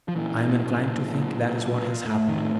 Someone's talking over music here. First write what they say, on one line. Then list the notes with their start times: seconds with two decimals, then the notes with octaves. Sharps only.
I am inclined to think that is what has happened.
0.08 F3
0.16 A#2 E3
0.48 A#2
0.79 A#2
1.11 A#2
1.43 A#2
1.74 A#2
2.06 A2
2.29 D#3
2.37 A2